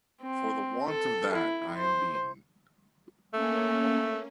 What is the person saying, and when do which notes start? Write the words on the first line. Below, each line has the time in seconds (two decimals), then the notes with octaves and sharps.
For the want of that I am beaten.
0.22 C4
0.89 A4
1.34 E4
1.77 C5
3.34 A3 A#3 C#4